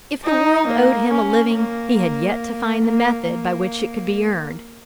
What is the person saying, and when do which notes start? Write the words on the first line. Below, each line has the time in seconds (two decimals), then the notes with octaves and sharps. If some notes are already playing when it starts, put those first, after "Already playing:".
If the world owed him a living, he had yet to find the method by which it could be earned.
0.24 D#4
0.67 A#3
1.11 C#4
1.53 A#3
1.97 A#3
2.84 A#3
3.27 A#3